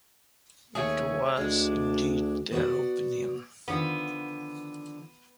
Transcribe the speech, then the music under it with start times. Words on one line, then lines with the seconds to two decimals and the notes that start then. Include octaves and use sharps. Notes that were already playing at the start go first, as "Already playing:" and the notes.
It was, indeed, their opinion.
0.75 D#2 A3 C#4 G#4
1.37 D2 G#3 D4
2.51 B3 F#4 D5 F#5
3.68 D3 D#3 F3 B3